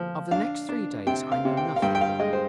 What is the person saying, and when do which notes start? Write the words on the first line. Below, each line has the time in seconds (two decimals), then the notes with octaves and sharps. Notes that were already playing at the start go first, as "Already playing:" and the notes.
Of the next three days I know nothing.
Already playing: F3
0.31 D4 F5
0.69 D4
1.07 C3 G5
1.32 F5
1.45 C3
1.57 G5
1.76 F5
1.82 G2 G5
1.95 G5
2.01 F5
2.20 G#3 D#5
2.33 C5